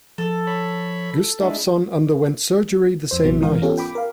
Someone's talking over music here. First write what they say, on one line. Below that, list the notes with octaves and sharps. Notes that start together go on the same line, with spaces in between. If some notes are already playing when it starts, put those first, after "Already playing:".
Gustafsson underwent surgery the same night.
F3 A4
C#5 B5
G#3 D4 E4
F2 C5
A#1 C3 F#3 B3
G#2 E3 A#4 F5
B3 C#4 F4 G4 A4
G5 B5 D6
A#4 F5